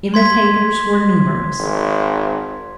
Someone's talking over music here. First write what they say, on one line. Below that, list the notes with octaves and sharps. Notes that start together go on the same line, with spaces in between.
Imitators were numerous.
C6 G#6 B6
G#1